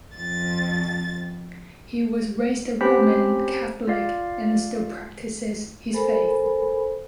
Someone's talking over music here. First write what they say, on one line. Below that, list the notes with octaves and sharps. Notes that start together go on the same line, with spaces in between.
He was raised Roman Catholic and still practices his faith.
F2 A6
C4 C#4 G4 C5 B5 B6
F4 D5 F5
A4 A#4 C5 G#5 B5